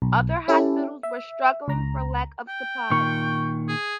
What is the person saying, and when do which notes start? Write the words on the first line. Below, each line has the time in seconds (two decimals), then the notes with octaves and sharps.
Other hospitals were struggling for lack of supplies.
0.02 B1
0.48 C#4 E4 G4 A4
1.03 E5
1.68 C#2 A#5
2.48 G5
2.91 A#2 D#3 C#6
3.68 G#4